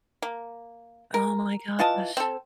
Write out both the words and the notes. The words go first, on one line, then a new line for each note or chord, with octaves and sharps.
Oh my gosh.
A#3
A#4
E3 F4 D#5 A5
C4 A4